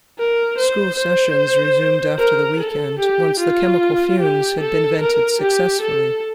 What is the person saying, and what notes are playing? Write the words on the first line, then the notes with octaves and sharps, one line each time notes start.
School sessions resumed after the weekend once the chemical fumes had been vented successfully.
A#4
C5
C5
A#4
A4
G4
F4
G4
A4
A#4
G4
A4